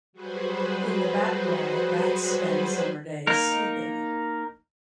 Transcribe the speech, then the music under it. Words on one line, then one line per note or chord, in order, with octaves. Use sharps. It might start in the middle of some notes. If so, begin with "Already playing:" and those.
In the Bat Grotto bats spend summer days sleeping.
F#3 G3 F#4 G#4 B4 C5
A#3 D#4 A#4